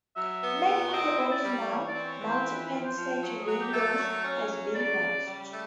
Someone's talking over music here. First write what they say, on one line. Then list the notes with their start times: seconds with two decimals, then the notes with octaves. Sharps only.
Many of the original multi-pane sash windows have been lost.
0.16 F#3 E5
0.41 B3
0.67 A#2
0.93 C4 D#5
1.18 E4
1.31 D5
1.44 G3
1.69 E3 C#5
1.88 D5
1.95 C4
2.07 C#5
2.20 E3
2.26 C5
2.46 F3 B4
2.71 F3
2.84 C5
2.96 F3
3.22 F#3
3.41 G#4
3.48 F#3
3.60 G4
3.72 A3
3.80 A4
3.94 D5
3.98 F#3 C#5
4.24 C#4
4.49 F#3
4.74 C#3 D5
5.00 C#3
5.26 G3
5.51 A3